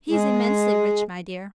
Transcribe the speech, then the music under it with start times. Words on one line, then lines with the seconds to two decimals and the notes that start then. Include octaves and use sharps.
He's immensely rich, my dear.
0.10 G#3 G#4